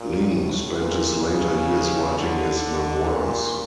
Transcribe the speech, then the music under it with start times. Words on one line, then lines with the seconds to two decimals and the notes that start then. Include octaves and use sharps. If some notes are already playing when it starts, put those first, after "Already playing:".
Lyng spent his later years writing his memoirs.
Already playing: A#2
0.32 A2
0.78 A#2
1.24 C#3
2.16 D3
3.10 A#2